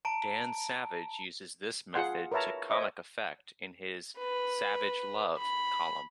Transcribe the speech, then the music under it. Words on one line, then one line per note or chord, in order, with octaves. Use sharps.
Dan Savage uses this method to comic effect in his "Savage Love" column.
A5 A#5 D7
F4 G#4 F#5 C6
A#4 B4 C#5 E5 A5 A#5
C5 C#5 D#5 E5
B4
B5